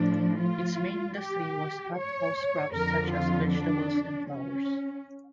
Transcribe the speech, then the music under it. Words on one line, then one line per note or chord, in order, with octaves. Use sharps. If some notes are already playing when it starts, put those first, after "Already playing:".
Its main industry was hothouse crops such as vegetables and flowers.
Already playing: A2 F3 D4
F4
G4
C#5
F2 D3 F3 A#4
F4
D4
C#4